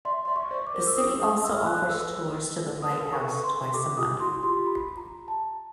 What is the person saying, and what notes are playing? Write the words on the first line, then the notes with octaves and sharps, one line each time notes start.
The city also offers tours to the lighthouse twice a month.
D5 E5 C6
D5 E5 C6
C#6
C5 D5
D6
A#4 C5
E6
D#6
D#6
E6
F6
E6
F#6
A4 B4 E6
B4 D#6
A#4
A4
G#4 A#4 C#6
A4 B4
C6
G4 A4 D6
F4 G4 D#6
E4 F#4 C6
F4 G4 C6
B5
A#5
A5